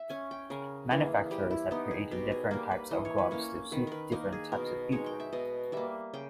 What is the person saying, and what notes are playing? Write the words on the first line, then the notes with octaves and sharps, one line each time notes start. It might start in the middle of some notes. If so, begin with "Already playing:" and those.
Manufacturers have created different types of gloves to suit different types of people.
Already playing: E5
C#4 G#5
G5
C#3 A#4
E3 A#3 G#4
G3 G4
E4
B3 D#4 G4
G#4
B2 G4
G#4
G3 A#3 A#4
B4
E3 D#5
C#5
B4
A#3 C#4 C#5
D#3 B4
A#4 B4
A#3 D#4 A#4
G#4
B2 A#4
G#3 D#4 C#5
G5
E5
B2 D#5
G3 A#3 E5
C#3 G5